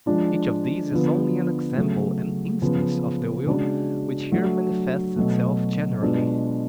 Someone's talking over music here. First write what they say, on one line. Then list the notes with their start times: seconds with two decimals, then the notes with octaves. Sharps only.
Each of these is only an example, an instance, of the will which here manifests itself generally.
0.06 F3 G#3 D4 F4
0.92 D3 F3 B3 F4
1.77 C#3 F#3 A3
2.62 C#3 F3 B3
3.46 C#3 G#3 D4 F#4
4.32 F#3 A3 D4 F#4
5.16 B2 F#3 A3
6.02 B2 G#3 B3 D4 F4